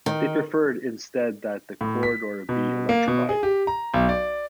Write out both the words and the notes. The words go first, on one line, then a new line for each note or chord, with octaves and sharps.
They preferred instead that the corridor be electrified.
D#3
A2
B6
B2
A#3
B2
G#4
G4
A#5
B1
D5